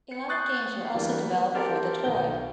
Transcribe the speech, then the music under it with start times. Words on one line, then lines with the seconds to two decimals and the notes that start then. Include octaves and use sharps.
A lot of games were also developed for the toy.
0.11 C#7
0.28 C#6 D#6 F#6 G6 A6 C7
0.94 D3 E3 G3 A#3 B3
1.16 B3
1.54 C4 G4 A4 A#4 C5 D5
2.04 B1 D#3 G6 G7